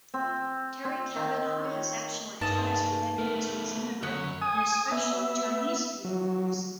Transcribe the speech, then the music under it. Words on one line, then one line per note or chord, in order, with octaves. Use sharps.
Terry Cavanagh has excellent ties with Edmonton's immigrant and especially Chinese communities.
C4
C4
D#3
C#5
G2 A#3 D#4 G#4 B4 A5 D#6
A3 B3 A#4
F#2 D3 B3 C#5
G#5 D#6
B3 E5
F#3